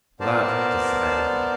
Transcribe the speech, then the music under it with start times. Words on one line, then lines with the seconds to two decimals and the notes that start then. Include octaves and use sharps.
That decided me.
0.20 B3 A#4 C5 D5 A5